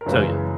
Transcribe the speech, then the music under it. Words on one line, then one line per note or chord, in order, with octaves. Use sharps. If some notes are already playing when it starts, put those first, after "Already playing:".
So, yeah.
A#4
F#2 C#3 E3 G#3 B4